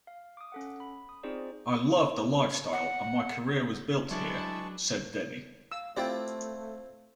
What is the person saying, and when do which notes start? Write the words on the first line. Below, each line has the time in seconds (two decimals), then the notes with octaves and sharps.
"I loved the lifestyle and my career was built here," said Denny.
0.07 F5
0.37 D6 D#6
0.52 C#4 A4 F#5
0.80 B5
1.09 D#6
1.23 C4 D#4 F4 G#4 C5 D5
2.73 F#5
4.11 F#3 G#3 D4 E4 B4 A5 C#6
5.72 F5 E6
5.97 A3 C4 E4 F4 G4 D5